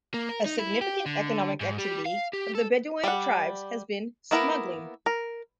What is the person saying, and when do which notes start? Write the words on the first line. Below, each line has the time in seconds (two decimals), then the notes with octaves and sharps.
A significant economic activity of the Bedouin tribes has been smuggling.
0.14 A#3
0.29 A#4
0.45 D#4
0.59 E4
0.81 G4
1.06 D3
1.61 G#2
1.78 G3
2.06 F5
2.33 G4
2.55 A4
3.04 G3 F#5
4.31 A#3 B3 E4 A#4
5.06 A#4